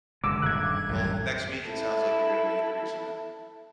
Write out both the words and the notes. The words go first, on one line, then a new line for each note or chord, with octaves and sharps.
Well, next week it sounds like you're gonna be increasing it.
F#1 D3 G#3 D6 E6
D#1 G2 F#6 G#6
A1 F#2 G3
E4 A4